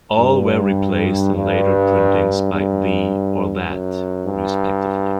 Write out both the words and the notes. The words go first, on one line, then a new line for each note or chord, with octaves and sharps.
All were replaced in later printings by "the" or "that", respectively.
G2
G2
G2
F#2
G2